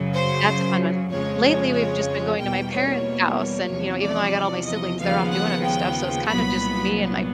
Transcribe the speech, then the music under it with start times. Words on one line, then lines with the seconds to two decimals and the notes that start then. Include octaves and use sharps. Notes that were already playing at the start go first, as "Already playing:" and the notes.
that's a fun one. Lately, we've just been going to my parents' house and, you know, even though I got all my siblings, they're off doing other stuff so, it's kind of just me and my,
Already playing: F#2 C#3 F#3
0.13 C5
1.11 F2 C#3 F3 G#3 C#5
1.43 C#5
1.75 C#5
2.40 E2 B2 G3 A#3 G5
2.72 C#5
3.38 C#5
3.70 E2 C3 F3
4.01 D5
4.66 D#5
4.99 D#2 C#3 F3 G#3 B3 F5
5.31 F#5
5.63 G5
6.28 C2 A#2 F#3 B3 B5